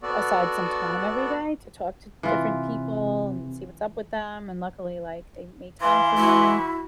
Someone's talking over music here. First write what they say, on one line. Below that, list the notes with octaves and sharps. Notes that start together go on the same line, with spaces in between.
aside some time every day to talk to different people and see what's up with them, and luckily, like, they made time for me
B3 F#4 A4 D5
C3 E3 F4
E3 B4 F5 C6
E4 F#4